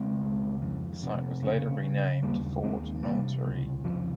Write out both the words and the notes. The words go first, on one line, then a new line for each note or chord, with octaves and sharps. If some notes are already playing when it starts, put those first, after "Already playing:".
The site was later renamed Fort Moultrie.
Already playing: C#3 G#3 C4
C#2
F2
C3
C#3
C#3
D#2 G3 A#3
D#2 G#3 C4
C3 G3 A#3
C#2
F2 F3